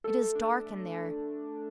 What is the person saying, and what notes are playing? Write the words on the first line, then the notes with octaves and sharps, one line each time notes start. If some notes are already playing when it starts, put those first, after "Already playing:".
It is dark in there.
A3 A4
D4
A3